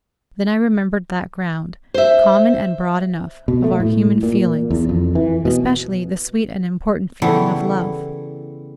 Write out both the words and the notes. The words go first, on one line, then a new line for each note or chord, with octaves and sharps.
Then I remembered that ground, common and broad enough, of our human feelings, especially the sweet and important feeling of love.
C5 E5
B2
A3
A2
A#2
E2
F2
E3
B2
C#3 E3 G3 B3 E4 A4